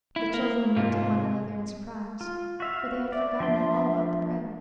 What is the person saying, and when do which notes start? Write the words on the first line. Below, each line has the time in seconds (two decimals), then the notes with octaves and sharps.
The children looked at one another in surprise, for they had forgotten all about the bread.
0.16 E4
0.34 A#3
0.76 G#2 C3 F4
2.21 F4
2.60 F#4 E5 F5
3.12 D5 E5
3.40 F3 D4 C6